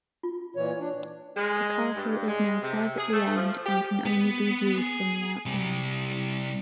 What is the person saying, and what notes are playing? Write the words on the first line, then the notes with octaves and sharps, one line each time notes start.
The castle is now privately owned and can only be viewed from the outside.
F4
A#2 E3 C#5
D4
G#3
G2
G#3
C3
G#4
A3
F3
G4
B3
G#4
C3 G3